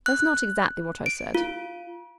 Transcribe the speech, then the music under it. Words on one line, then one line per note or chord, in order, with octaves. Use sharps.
"That's not exactly what I said."
F#6
D7
F4